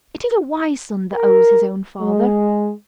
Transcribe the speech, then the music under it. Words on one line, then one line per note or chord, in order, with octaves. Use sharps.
It is a wise son that owes his own father.
A#4
G#3